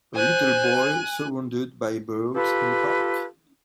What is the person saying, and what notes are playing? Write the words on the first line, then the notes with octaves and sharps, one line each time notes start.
A little boy surrounded by birds in a park.
C5 G#5 F#6
F4 G4 A4 B4